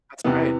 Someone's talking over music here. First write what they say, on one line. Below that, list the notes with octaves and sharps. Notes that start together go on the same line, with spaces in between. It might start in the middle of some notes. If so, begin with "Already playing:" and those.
That's great.
E2 C3 E3 B3